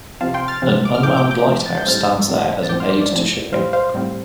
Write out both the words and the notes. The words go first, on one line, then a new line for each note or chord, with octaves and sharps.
An unmanned lighthouse stands there as an aid to shipping.
C3 F3 C4 F5 A5
G5 C6
F6 A6
C3 F3 C4
D6
F6
A2 F3 C4 D6 G6
D6 G6
D6 G6
A2 F3 C4
A6
G6
A2 G3 C4 F6 A6
A2 G3 C4
A6
A2 F3 C4 D6 G6
C6 F6
D5
D5
A2 F3 C4
A2 G3 C4 C5 F5
C5 F5
A2 G3 C4